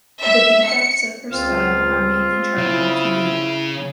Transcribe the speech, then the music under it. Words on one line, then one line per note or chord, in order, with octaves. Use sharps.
The defects of her style are mainly chargeable to youth.
E5
C#7
C#2 C4 F4
C#3 E4